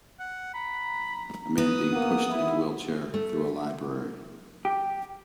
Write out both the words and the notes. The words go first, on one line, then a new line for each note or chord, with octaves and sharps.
A man being pushed in a wheelchair through a library.
F#5
A#5 B5
B3 D#6
A#3 F#5
E4
A3
G4